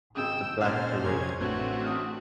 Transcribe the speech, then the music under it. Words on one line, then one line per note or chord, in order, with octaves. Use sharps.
The Black Parade.
G#1 C#3 G5 D#6 E6
A#2 D3 G#3 C#4 C5 D5 F6
F2 C3 G#4 A#4 C5 C#5 G#6
A1 A3 C4 D4 F#4 B4
D#6 F6